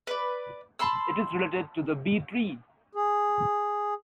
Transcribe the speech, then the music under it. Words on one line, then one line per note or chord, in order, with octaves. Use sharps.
It is related to the B-tree.
B4 D5
A5 B5 C6 E6
G#4